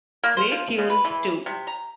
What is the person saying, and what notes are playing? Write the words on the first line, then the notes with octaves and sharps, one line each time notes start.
Great tunes too.
A#3
C5
F3
C#3
B4
E3
C3
A#5